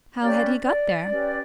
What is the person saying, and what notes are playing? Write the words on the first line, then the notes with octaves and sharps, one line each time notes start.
How had he got there?
C#4 G4 B4 D5
D5
C#4 G4 B4